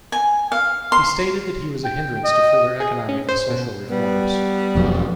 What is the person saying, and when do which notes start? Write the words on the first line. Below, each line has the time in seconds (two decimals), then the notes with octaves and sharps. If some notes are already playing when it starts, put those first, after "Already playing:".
He stated that he was a hindrance to further economic and social reforms.
0.12 G#5
0.52 F5
0.92 C6
1.84 G5
2.24 D#5
2.80 G#4
3.09 C#4
3.29 C5
3.50 B2
3.91 G3 B3
4.75 E1 F2 F#3